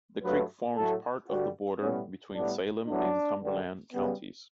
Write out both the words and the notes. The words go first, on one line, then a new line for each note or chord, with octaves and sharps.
The creek forms part of the border between Salem and Cumberland Counties.
G2 F#3 A3 B4
A2 F#3 A3 A4
G2 D3 G3 F#4
A2 G3 B3 C#4
A2 G3 B3 D4
A2 F#3 B3 D4
G2 D3 G3
C#3 G3 B3